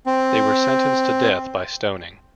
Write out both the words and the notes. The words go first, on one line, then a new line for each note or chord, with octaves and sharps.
They were sentenced to death by stoning.
C4